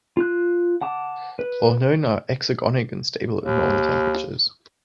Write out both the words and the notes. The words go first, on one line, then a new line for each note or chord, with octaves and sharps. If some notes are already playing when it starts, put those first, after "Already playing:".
All known are exergonic and stable at normal temperatures.
F4 F#6
F#5 A5 D6
B4
D#2